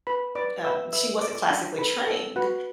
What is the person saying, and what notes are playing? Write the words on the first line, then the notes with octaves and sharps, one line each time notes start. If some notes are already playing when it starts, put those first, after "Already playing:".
um she wasn't classically trained,
B4 B5
B4 D5 D6
B4 E5 E6
B4 E5 E6
A4 D5 D6
D4
A4 B4 B5
A4
F#4 B4 F#5